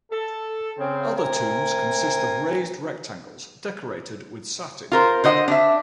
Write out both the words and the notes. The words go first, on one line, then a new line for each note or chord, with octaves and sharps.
Other tombs consist of raised rectangles, decorated with satin.
A4
C#3 C4
A3 C4 A#4 G#5
F4 A#4 C5
D3 C5 D#5 F#5
D4 E5